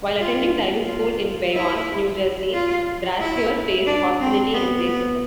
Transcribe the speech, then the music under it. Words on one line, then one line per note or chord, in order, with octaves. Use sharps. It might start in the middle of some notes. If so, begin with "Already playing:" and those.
While attending diving school in Bayonne, New Jersey, Brashear faced hostility and racism.
F4
F4
E4
F4
E4
D4
C4
B3
B3